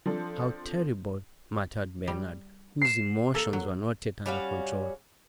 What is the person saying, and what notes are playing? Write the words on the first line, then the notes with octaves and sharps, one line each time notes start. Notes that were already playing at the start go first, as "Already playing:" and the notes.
"How terrible!" muttered Bernard, whose emotions were not yet under control.
F3 C4 D4 A4
G3
C7 E7
A#3 A4
F#3
G3 C#4 F#4 F5